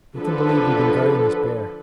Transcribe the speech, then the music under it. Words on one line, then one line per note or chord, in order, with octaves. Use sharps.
"Make them believe we've been guarding this bear!"
D3 F3 A4 B4